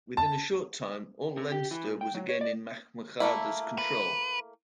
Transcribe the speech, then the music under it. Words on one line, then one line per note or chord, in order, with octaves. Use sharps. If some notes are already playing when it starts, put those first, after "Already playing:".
Within a short time, all Leinster was again in Mac Murchada's control.
A5
C3
G4
E3
A#2
G5
F#3
C#5
D5
A3 A#3 E4
B4